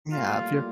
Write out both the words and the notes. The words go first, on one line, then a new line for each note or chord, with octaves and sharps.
Yeah, if you're
A2 G3 A#3 F4